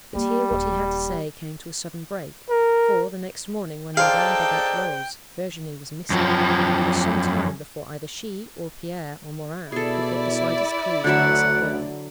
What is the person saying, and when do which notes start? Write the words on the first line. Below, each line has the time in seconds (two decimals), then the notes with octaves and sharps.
But here what he had to say came to a sudden break; for, the next morning, when Madame Babette rose, Virginie was missing, and it was some time before either she, or Pierre, or Morin, could get the slightest clue to the missing girl.
0.15 G3 A#3
0.51 D#1
2.49 A#4
3.97 D4 D#4 G#4 A4 C5 D5 F5 G5
6.10 F#2 F3
9.72 B2 E4 G#4 A4 D5
11.04 D2 D3 F#3 E5 F#5